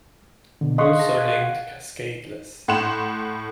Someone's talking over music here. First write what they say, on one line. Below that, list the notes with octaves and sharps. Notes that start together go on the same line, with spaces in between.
Also named cascadeless.
B2 D3
D#5 F5 C6 C#6 F#6
G#4 A5 A#6
F5 F#6 G#6
F#5
A2 F#5 B5 C6 E7